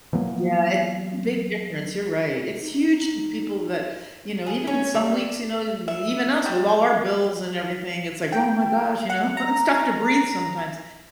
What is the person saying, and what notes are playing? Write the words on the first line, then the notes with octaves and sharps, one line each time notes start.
Yeah, it's a big difference, you're right. It's huge to people that, you know, even some weeks, you know, e even us with all our bills and everything, it's like, "Oh my gosh," you know? It's tough to breathe sometimes.
E3 F#3 A#3 B3
D#4
G#4
C#4
G3
E5
G3
G5
F#5
A#5